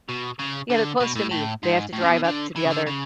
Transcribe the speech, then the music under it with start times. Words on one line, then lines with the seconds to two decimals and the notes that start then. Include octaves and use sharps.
Yeah, they're close to me. They have to drive up to the other
0.09 B2
0.39 C#3
0.70 D3
1.01 B2
1.16 A2
1.31 A2
1.63 G#2
1.93 A2
2.01 C#3
2.10 B2
2.24 D3
2.56 E3
2.65 C#3
2.71 D3
2.87 C#3